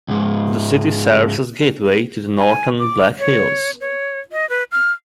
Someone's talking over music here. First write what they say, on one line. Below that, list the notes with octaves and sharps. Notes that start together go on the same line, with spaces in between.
The city serves as gateway to the northern Black Hills.
C#2 G#2
G#5
D6
C#5
C#5
D#5
B4
F6